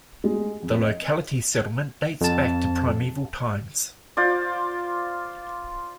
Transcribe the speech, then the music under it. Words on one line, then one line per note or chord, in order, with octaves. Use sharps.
The locality settlement dates back to primeval times.
G#3
F2
D#5
F2 A5
F4 C5 D5